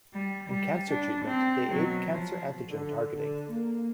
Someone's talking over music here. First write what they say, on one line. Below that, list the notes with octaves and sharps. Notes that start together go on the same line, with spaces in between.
In cancer treatment they aid cancer antigen targeting.
G3
G3
D4
C4
B2 F#3
F3
D3
D3
A#3